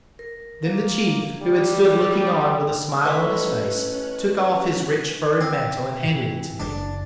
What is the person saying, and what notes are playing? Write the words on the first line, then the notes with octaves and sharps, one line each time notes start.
Then the chief, who had stood looking on with a smile on his face took off his rich furred mantle and handed it to me.
A#4
A#3
G3
G#4
D4 G5
A2 C#4 D#4 B4 E5 C#6 F#6
C4
C3 E3
F#1 D4